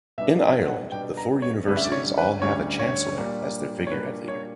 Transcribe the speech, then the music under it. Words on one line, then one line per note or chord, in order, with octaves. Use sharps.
In Ireland, the four universities all have a chancellor as their figurehead leader.
B2 G3 B3 D4 E5
E5
F#5
B2 G3 B3 D4 G5
A#5
C#5
D2 D3 G3 C#4 B4
E5
D5
C#5
B4
D2 D3 G3 C#4 C#5
C#5
A#2 G3 A#3 D4
C#5
A#2 G3 A#3 D4 B4
C#5